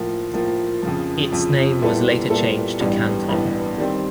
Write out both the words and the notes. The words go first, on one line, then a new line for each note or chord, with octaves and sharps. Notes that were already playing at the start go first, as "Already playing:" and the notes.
Its name was later changed to Canton.
Already playing: A2 F3 A#3
A2 F3 A#3
F2 C#3 F3
F2 C#3 F3
A#2 G3 B3 E4 A4
A#2 G3 B3 E4 A4
A1 G2 E3 G3 B3
A1 G2 E3 G3 B3
D#3 G3 C4